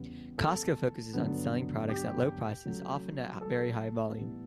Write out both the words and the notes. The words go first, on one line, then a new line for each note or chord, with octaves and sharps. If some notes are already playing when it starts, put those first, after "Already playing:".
Costco focuses on selling products at low prices, often at very high volume.
Already playing: E2 C#3 G3 B3
A4
G2 D3 F#3 B3
G4
C#3 F#3 A3
A4
A2 E3 G3 B3